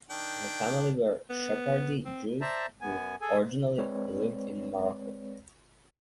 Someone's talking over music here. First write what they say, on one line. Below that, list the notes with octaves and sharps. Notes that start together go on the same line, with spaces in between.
Her family were Sephardi Jews who originally lived in Morocco.
D#3 D4 G5
B3
C4
C5 D5 E5 A5 A#5
F#2 B3 G#5
G#4 A4 G#5
G#3 C4 B4 C#5 D5